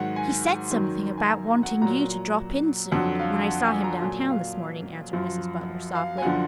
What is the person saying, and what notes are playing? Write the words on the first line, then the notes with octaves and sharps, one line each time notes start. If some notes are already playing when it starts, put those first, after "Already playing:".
"He said something about wanting you to drop in soon, when I saw him downtown this morning," answered Mrs. Butler softly.
Already playing: G#2 D#3 F#3 F#5
G#5
F#2 D#3 F#3
G#5
A#5
F#5
A#2 F#3 A#5
F2 D3 F#3 F#5
F5
F#5
G#5
A#5
A#2 F#3 G#5
F5
F#2 F3
F5
G#5
F#2 D3 F3 F#5